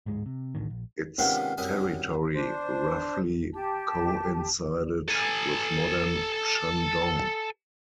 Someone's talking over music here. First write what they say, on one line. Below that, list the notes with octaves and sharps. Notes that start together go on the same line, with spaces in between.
Its territory roughly coincided with modern Shandong.
D1 G#2 G#3
C3
A1 D2 A2 D#3
A#1
G#2 C3 D#3 B3 C#4 F4
C2 F#2 E4 G#5 D#6
D4 C5
G4 A5
A4 G#5